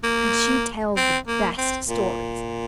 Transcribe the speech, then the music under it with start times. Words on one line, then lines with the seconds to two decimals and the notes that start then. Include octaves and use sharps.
And she tells the best stories.
0.04 A#3
0.96 C4
1.27 A#3
1.58 C4
1.89 A#2